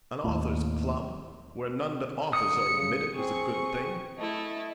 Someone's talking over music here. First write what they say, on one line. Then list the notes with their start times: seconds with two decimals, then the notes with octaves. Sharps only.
An Authors' Club, where none but authors are admitted, is a good thing.
0.24 D#2 A2
2.33 D3 D#6 C#7
2.67 C#3
3.14 C4 G#4 C#6
4.18 A3 E4 D#5